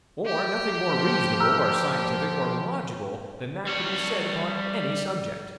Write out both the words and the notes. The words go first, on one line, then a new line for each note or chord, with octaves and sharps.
Or nothing more reasonable or scientific or logical than that could be said upon any subject.
G4
F3
A#5 E6 F6
G3 C#5